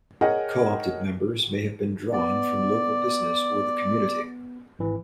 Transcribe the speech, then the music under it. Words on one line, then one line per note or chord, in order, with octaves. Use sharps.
'Co-opted' members may have been drawn from local business or the community.
G#4 A#4 C#5 D#5 F#5 G5
B3 D5
G#1 E3